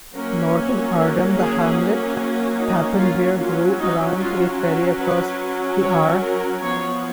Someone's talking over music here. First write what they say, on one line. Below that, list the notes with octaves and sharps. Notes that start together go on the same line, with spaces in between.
North of Aardam, the hamlet Papenveer grew around a ferry across the Aar.
F#3 A#3 C#4 A#4
A#4
G#4
D#4
F4
F#3 C#4 F4
D#4
F4
F#4
B4
C#5
A#4
F3 B3 C#5